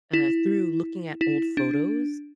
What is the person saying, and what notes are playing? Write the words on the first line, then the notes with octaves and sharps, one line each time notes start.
uh through looking at old photos,
E4
E4
D4